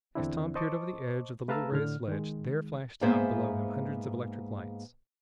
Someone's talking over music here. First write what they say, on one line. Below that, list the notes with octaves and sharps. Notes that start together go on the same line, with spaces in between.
As Tom peered over the edge of the little raised ledge, there flashed out below him hundreds of electric lights.
E2 D3 C4 D4 E4
C5 D#5 A5 C#6 D6
A3 B4 F5 A5 A#5 E6
A2 D3 F6
D#3 G#3
G#2 A#3 B3 G#4 C5 E5